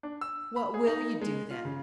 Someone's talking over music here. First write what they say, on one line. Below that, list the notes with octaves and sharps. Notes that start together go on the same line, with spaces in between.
'What will you do then?
D4
E6
B5
G#4
D#4
G#3
F4
C#3